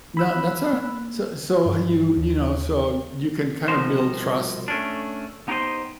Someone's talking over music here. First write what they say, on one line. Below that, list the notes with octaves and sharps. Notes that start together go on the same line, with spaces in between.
No, that's alright. So so, you, you know, so, you can kinda build trust,
B5 E6 F#6
A#3
G2
D#2
C2 B2 F3 D#4 C5
A3 C#4 D4
B3 D#4 G4 G#4 C5 D#5